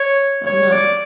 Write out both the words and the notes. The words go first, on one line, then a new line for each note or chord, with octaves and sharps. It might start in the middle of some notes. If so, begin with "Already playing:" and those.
I'm not
Already playing: C#5
C#5
D5